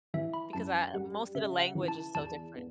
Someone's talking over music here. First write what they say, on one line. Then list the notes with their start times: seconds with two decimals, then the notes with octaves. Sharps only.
because I most of the language is so different.
0.14 E3 E5
0.34 B5
0.53 F#2 A5
0.94 G3 F#5
1.35 C#3 E5
1.61 F#5
1.75 E3
1.88 A5
2.15 E2 A5
2.55 B3